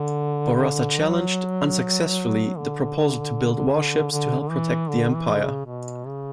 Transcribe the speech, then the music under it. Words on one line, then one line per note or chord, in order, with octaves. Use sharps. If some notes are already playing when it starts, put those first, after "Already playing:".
Bourassa challenged, unsuccessfully, the proposal to build warships to help protect the empire.
Already playing: D3
F#3
D3
D3
D3
E3
D3
E3
D3
C#3
B2
C#3